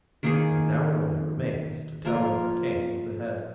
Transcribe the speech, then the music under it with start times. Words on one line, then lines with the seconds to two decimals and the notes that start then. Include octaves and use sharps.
And now it only remains to tell what became of the head.
0.23 D#3 A#3 D#4 G#4
2.05 F3 A#3 F4 A#4